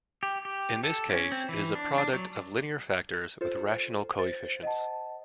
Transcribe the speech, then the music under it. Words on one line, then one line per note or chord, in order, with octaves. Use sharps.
In this case it is a product of linear factors with rational coefficients.
G4
G4
A4
C#4
C4
E3
D4
D4
F#3
F4 A4 C5
C5 A6
D#5 F#5 A5